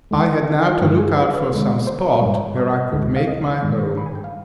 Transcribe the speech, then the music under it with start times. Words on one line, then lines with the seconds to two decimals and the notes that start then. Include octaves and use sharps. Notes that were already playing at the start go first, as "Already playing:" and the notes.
I had now to look out for some spot where I could make my home.
0.11 D#2 D#3 G#3
0.72 F4
0.81 G2 D3 F3 G#3 G4
0.99 G#4
1.16 B4
1.34 B4
1.52 D#2 D3 G#3
1.87 C5
2.22 G#2 G3
2.57 D5
2.92 D2 D3 G#3
3.16 F5
3.28 D#5
3.62 G#2 D#3 G#3
3.97 B5
4.06 G#5
4.15 G5
4.24 F5